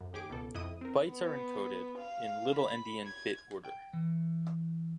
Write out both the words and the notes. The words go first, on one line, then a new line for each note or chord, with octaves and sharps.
Bytes are encoded in little-endian bit order.
F#2
D#2 G4 G#4 D6 D7
C#2 B2 A4
F2 E4 D#5 D#6 D#7
C4 A#4
B3
F5
B5
G#6
G5
E3